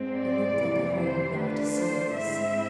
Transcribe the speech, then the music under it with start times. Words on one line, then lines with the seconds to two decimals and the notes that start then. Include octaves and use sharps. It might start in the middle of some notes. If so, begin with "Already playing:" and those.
It looked like a home left soulless.
Already playing: G#2 G#3 C4
0.15 D5
0.55 F2 C3 E3
0.96 C5
1.34 D3 A3 D4 F4 B4
1.74 C5
2.13 G#2 G#3 C4 E4 E5